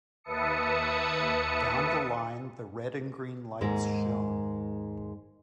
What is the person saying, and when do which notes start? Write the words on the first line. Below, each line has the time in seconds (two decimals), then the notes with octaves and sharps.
Down the line the red and green lights shone.
0.24 D#2 B4 E5 A5 D#6 C#7
3.61 D#2 G#2 G#3 A#4